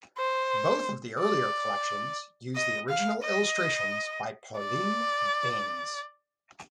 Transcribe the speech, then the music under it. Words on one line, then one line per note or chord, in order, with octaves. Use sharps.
Both of the earlier collections use the original illustrations by Pauline Baynes.
C5
D5
D#5
F5
D#5
D5